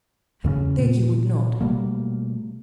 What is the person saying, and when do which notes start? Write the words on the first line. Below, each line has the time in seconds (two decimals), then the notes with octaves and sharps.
I beg you would not.
0.44 E2 C#3 A#3 C#4
0.78 A#2
1.60 B2 G3 A3 A#3